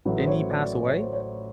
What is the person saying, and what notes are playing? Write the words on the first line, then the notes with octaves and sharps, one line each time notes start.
Didn't he pass away?
A1 A2 F#3 B4
C5
C#5
D5
D5
C#5
C5
C#5